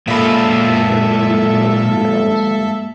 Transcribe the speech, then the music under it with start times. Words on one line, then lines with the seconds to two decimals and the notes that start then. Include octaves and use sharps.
We spent maybe two or three hours on it.
0.08 A#2 G#3 A#3 F4 A4 E5 B5